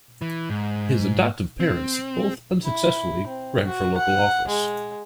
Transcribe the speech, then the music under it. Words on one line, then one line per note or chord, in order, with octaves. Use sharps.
His adoptive parents both unsuccessfully ran for local office.
E3
G#2
C4
E4
C4
F#4
F#5
G#3